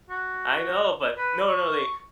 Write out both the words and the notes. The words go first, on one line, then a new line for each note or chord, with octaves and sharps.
I know, but no, no, they
F#4
B4
C#6